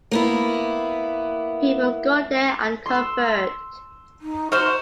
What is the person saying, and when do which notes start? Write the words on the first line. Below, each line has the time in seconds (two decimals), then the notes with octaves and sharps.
People go there and convert.
0.11 A#3 B3 E4
2.86 C6 E6
4.21 D#4
4.52 F#4 C5 C#6 F6 C#7 E7